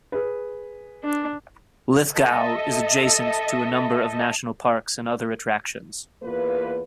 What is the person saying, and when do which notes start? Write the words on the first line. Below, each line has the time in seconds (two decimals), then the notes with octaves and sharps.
Lithgow is adjacent to a number of national parks and other attractions.
0.12 G#4 B4
1.04 D4
2.16 A4 D#5 E5
6.23 E2 A#3 F4 B4